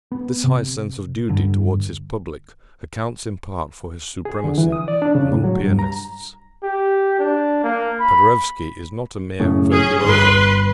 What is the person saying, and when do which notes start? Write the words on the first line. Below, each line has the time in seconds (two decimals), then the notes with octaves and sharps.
This high sense of duty toward his public accounts in part for his supremacy among pianists Paderewski is not a mere virtuoso.
0.12 B3
0.44 C3
1.29 G2 D3
4.25 G#4
4.44 D3
4.58 E3
4.72 D#6
4.88 D5
5.02 D4
5.15 C#3
5.32 A2
5.44 F#3
5.64 G2
5.79 A#5
6.63 G4
7.19 D4
7.64 A#3
8.00 B5
9.40 F#2 A2 C#3
9.72 C#4 G#4
10.05 G1 B4 C6